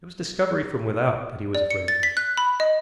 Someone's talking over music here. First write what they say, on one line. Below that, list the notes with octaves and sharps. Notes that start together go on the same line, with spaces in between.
It was discovery from without that he was afraid of.
D5
C#7
A6
B6
F#6
B5
D#5